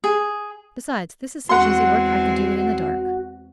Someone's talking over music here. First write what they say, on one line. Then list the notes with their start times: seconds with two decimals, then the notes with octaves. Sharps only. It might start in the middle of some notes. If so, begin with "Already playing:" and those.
"Besides, this is such easy work I could do it in the dark."
0.04 G#4
1.49 E2 G#3 C4 F#4 F#5 C6